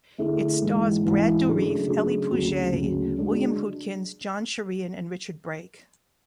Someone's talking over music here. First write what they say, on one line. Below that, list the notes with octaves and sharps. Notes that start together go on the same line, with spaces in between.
It stars Brad Dourif, Ely Pouget, William Hootkins, John Sharian, and Richard Brake.
D3 A3 E4 G#4
G#2 E3 G#3
G#2 E3 G#3
C#3 F#3 A3 D4 G#4
C#3 F#3 A3 D4 G#4
D2 C#3 F#3
D2 C#3 F#3
G#3 D4 G#4